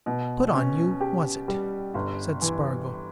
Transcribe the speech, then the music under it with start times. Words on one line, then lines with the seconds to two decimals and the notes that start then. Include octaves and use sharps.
"Put on you, was it?" said Spargo.
0.06 B2
0.54 C#4
1.01 G4
1.48 G3
1.94 G1
2.42 E3